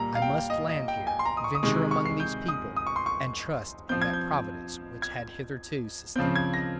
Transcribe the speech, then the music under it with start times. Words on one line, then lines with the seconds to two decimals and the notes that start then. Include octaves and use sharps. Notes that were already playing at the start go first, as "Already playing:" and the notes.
I must land here, venture among these people, and trust in that Providence which had hitherto sustained me.
Already playing: A#2 G3 A#3 A#5
0.15 F5
0.22 G5
0.50 D#5
0.69 D#5
0.88 G5
1.07 G#5
1.19 C6
1.25 A#5
1.37 D#6
1.44 C#6
1.55 D#6
1.63 C3 D#3 G#3 C#6
1.91 C#6
2.06 C7
2.20 G6
2.48 D#6
2.76 D#6
2.87 C#6
2.96 C6
3.06 C#6
3.89 F3 C4 G6
4.02 G#6
4.13 G6
5.02 G#6
6.15 C#3 F3 C4 G6
6.36 G#6
6.54 A#6